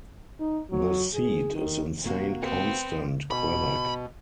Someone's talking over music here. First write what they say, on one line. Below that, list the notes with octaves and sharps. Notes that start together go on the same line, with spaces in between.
The seat is in Saint-Constant, Quebec.
D#4
F#3
G#4
D#3
C3 A#3 F#4
B3 C4
B2 B5